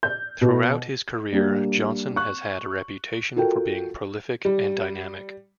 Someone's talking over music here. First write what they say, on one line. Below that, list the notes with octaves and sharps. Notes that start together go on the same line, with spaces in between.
Throughout his career, Johnson has had a reputation for being prolific and dynamic.
G6
B2
G3 A#3 D4
C#6 F#6
F4 F#4 A4 A#4 G5
G3